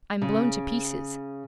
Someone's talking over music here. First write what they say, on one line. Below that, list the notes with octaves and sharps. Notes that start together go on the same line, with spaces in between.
'I'm blown to pieces.
C#3